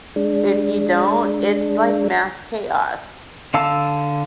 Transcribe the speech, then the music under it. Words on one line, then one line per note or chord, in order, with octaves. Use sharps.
if you don't, it's like mass chaos.
G#3 D4
D3 F5 A5 E6